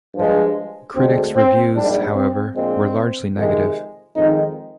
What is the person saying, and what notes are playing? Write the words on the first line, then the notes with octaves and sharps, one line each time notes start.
Critics reviews, however, were largely negative.
G2 F3 G#3
D2 D3 G#3 C4
C4
A#1 G#2 G3 D4
C4
A#1 A#2 G#3 C4
F2 C3 D#3 G#3
F2 D#3 G#3 D#4